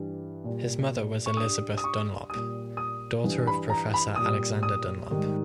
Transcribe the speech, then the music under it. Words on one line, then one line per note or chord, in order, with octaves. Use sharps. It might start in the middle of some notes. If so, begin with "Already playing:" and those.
His mother was Elizabeth Dunlop, daughter of Professor Alexander Dunlop.
Already playing: G2 E3 G3
A#2 G3
C#6
G2 G3 D#6
D#6
C#6
A#2 G3 D#6
D#6
G2 E3 G3
B5
A#5
B5
A#2 G3 D#6
D#6
G#2 D#3 G3